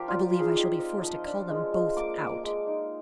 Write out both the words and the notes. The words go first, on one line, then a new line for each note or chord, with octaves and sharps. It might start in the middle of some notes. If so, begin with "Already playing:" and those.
I believe I shall be forced to call them both out.
Already playing: F3 D4 G4 A#4 C5
G3 F4
F4
G#4
D#4 G4
C4 D#5
F3 D#5
D4
G#3
G#3
A#3 D6
A#3
D6
G#3
D#4